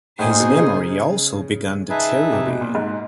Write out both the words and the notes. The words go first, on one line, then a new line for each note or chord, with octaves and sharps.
His memory also began deteriorating.
A2 D#4 G#4 C5 D#5 G#5
A#2
B2
C#3
C#3
D#4 G#4 B4 E5 A5
C3
B2
A#2
G#2